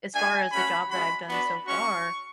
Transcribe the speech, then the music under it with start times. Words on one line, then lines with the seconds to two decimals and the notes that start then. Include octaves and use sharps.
as far as the job that I've done so far,
0.14 A3 D4 F#4 G#5
0.52 A3 C#4 F#4 B5
0.90 G#3 C#4 F#4 B5
1.28 B3 D4 F#4 B5
1.66 G#3 C#4 F#4 C#6